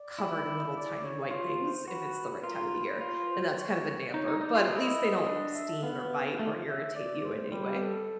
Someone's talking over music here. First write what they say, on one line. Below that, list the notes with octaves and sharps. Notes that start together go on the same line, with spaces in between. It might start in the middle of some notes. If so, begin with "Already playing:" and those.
covered in little, tiny white things, if it's the right time of the year, and that's kind of a damper, but at least they don't sting or bite or irritate you in any way.
Already playing: D5
E4
D5
C#5
F4
C5
F#4 B4
F4 A#4
B4
F4
C5
C#5
D#4 C#5
D#4
D#4 D5
F4
E4 D#5
D4
E5
B3 F5
A3
F3
E5
D5
C5
G3 B4
A4